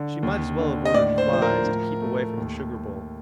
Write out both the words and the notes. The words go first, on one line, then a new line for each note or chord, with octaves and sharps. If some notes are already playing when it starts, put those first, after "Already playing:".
She might as well have ordered flies to keep away from a sugar-bowl.
Already playing: D3
D#2
D3
D#5
A2 D5
C5
F3 C5
A#4
A2
A3
D#2